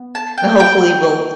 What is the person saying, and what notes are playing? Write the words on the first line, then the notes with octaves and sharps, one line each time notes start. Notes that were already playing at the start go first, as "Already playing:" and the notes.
and, hopefully, we'll
Already playing: B3
A5
G5
G5